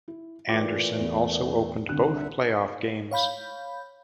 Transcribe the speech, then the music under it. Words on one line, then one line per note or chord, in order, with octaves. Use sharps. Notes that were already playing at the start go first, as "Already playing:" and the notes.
Anderson also opened both playoff games.
E4
A#2 E3 A3 F4 G5 D6
E2 B4
C2 D3 F#6
A#2 E5 F#5
C#5 F5 B5 G6